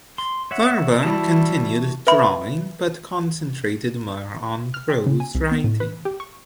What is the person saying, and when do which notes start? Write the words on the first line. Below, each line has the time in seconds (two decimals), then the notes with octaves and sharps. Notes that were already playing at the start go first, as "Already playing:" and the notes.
Faerber continued drawing, but concentrated more on prose writing.
0.18 C6
0.51 C#5 E5 F#5
1.03 E3 G3 E4 F#4 A5
2.07 B4 E5 B5
4.74 F6
4.90 G5
5.06 C#3
5.20 G#5
5.35 C2
5.51 B3
5.64 A2
5.80 B4
6.05 G4
6.20 C#6